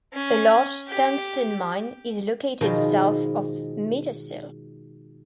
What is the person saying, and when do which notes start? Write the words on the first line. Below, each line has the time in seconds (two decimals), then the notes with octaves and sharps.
A large tungsten mine is located south of Mittersill.
0.13 C#4
0.88 G4
2.61 B2 D#3 F3 G#3